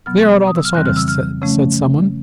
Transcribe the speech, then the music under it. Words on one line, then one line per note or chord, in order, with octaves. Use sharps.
"Clear out all the sawdust," said some one.
B2 F#3 B3 F6
D#6
E6
F6
F2 C#3 E3 G3 C4 F#6
F6
E6
F6
C#3 F3 A3 C#4